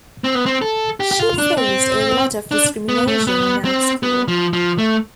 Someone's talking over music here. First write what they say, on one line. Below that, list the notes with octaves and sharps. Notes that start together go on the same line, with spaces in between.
She faced a lot of discrimination in art school.
C4
B3
C4
A4
G4
G4
F4
D4
C4
D4
B3
A3
B3
C4
B3
F3
F3
A3